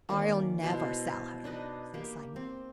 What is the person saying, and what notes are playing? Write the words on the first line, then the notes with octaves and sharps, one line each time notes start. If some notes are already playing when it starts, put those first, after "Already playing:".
"I'll never sell her," said Simon.
D#3 A#3 C#4 D5
B2 E4 C5
D4 D#4 B4 D#5
A#3 G4
C4